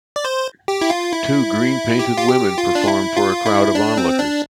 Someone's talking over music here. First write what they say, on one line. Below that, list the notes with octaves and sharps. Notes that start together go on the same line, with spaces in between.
Two green painted women perform for a crowd of onlookers.
D5
C5
G4
E4
F4
E4
G4
F4
G4
F4
D4
E4
F4
E4
D4
C4
D4